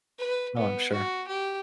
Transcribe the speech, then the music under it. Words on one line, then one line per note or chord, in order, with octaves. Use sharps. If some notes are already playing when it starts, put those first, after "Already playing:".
Oh, I'm sure.
B4
B3
F#4
G4